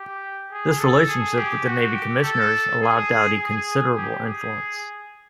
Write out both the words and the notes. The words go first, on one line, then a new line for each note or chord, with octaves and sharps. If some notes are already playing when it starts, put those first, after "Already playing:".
This relationship with the Navy Commissioners allowed Doughty considerable influence.
Already playing: G4
G#4
A4
G#4
G4
F#4
G4
A4
G#4
G#4
G4
G#4